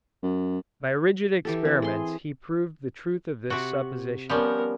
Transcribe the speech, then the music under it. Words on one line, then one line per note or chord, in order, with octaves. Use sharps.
By rigid experiments he proved the truth of this supposition.
F#2
E3 G4 A4
C4
G#4 C6
C3 F#4
F3 G3 B3 C#4 A#4